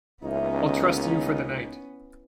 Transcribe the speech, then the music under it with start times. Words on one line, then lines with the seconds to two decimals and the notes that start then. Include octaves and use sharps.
I’ll trust you for the night.
0.23 C#2 E3 A#3 B3 C#4 D#4